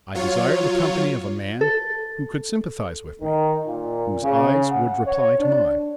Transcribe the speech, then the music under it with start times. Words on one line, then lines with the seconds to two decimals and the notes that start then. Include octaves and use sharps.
I desire the company of a man who could sympathize with me, whose eyes would reply to mine.
0.15 F#3 F4 C#5
1.61 A4
3.21 D#3
3.66 A#2
4.22 C#3
4.71 F#5
5.05 C#5
5.39 D4